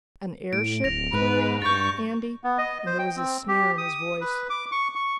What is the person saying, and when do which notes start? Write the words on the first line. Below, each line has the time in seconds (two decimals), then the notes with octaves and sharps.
"An airship?" queried Andy, and there was a sneer in his voice.
0.53 A2 D7
0.84 D1 A#6 F7
1.13 G#2 B4
1.62 G2 C#6 G6 A6
2.44 B3
2.58 D#5
2.86 C5
2.99 G5
3.16 C4
3.48 G4
3.78 D#6
4.21 B4
4.50 D6
4.72 C#6
4.95 C#6